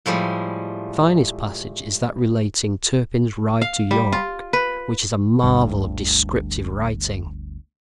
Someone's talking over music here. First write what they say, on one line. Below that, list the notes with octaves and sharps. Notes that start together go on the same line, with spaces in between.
The finest passage is that relating Turpin's ride to York, which is a marvel of descriptive writing.
A2 F3 G3 G#3
F5
G3
F4
B4
G1 D2 G2